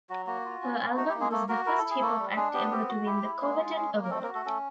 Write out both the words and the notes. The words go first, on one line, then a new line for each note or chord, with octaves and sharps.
Her album was the first Hip Hop act ever to win the coveted award.
F#3 F#4
A#3 F#4
F4
C#4
A3
D#4 F#4
G4
A#3
G#3 G#4
A3 A#3 A4
A#3 F#4 A#4
E4 A#4
A4
E4
G#4
A3 A#3 A4
G3
G#3 D4 G#4
B3 G4
C4 G4
F#4
E4 G4
E4
G#3 A#3 G#4
F4
C#4
A#3
A#4
A3 C4 A4
A#3 A#4
F#4
A3 A4
A3 C#4 A4